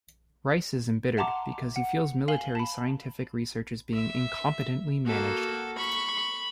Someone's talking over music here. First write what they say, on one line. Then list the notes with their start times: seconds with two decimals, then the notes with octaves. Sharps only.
Rice is embittered because he feels military scientific research is being incompetently managed.
1.17 E5 F#5 A5 A#5 C6 D6
1.76 F#5
2.28 F5 G#5 F#7 G7
2.55 A5 B5
3.93 E5
5.06 A#3 F#4 A4
5.77 B5 C#6